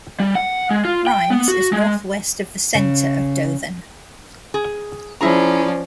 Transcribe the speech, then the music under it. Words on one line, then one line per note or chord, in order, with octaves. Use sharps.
Grimes is northwest of the center of Dothan.
G3
F#5
G#3
F4
G5
B3
F#4
G#3
C#3
G#4
F3 C#4 E4 G#4 D5 A#5